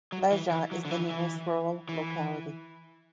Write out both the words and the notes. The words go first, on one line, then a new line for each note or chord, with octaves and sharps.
Lezha is the nearest rural locality.
F#3
E3
E3
F#3
D3
E3
E3
E3